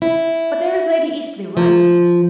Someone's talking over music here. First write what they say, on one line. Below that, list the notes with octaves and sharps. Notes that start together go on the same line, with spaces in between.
But there is Lady Eastleigh rising.
E4
F3